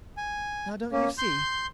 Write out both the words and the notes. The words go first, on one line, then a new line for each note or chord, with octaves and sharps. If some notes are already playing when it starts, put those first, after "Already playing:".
'Now, don't you see!
G#5
A#3 C#4
C6 G6